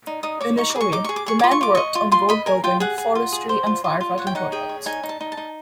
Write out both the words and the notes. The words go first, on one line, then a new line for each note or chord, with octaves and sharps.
Initially the men worked on road building, forestry and firefighting projects.
D#4
D#4 D#6
C#5 D6
D#4 C#6
D6
G#4 C#6
D#4 D6
G#4 C#6
D6
G#4 C#6
F4 D6
C#6
F4 D6
D#5 C#6
F4
F4 C6
D#5 B5
A#4 G#5
F4 G5
G#4 F#5
G#4
F4
G#4
C5
F4
F4
F4
C#5 F#5
G5
D#4 F#5
G#4 G5
C#5
D#4 G#5
D#4
A5
D#4
A5
D#4